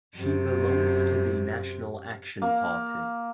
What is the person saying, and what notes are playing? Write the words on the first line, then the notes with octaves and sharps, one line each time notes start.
She belongs to the National Action Party.
F#2 C3
A#3